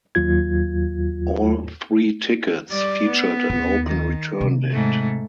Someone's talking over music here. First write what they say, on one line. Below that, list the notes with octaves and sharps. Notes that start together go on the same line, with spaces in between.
All three tickets featured an open return date.
D#2 F#3 F4 G#6
G3 D5
B3
D#2
D#3
C3
G#2 A3